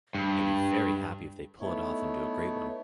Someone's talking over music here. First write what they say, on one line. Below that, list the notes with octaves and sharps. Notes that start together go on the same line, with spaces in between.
'I'd be very happy if they pull it off and do a great one'.
G2
A3 B3 D#4 E4 C#5